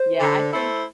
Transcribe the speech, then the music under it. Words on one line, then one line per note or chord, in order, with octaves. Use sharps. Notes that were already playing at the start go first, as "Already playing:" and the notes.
Yeah, I think,
Already playing: C5
D3
A3 E4 A4 C5